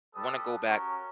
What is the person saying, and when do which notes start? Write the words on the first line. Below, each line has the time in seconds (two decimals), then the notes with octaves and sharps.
wanna go back
0.15 G3 A4 B4 D#6
0.67 C#4 F#4 A#4